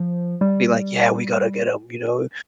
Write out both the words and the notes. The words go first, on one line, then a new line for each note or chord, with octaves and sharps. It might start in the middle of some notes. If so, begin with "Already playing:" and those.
be like, "Yeah. We gotta get him," you know,
Already playing: F3
G3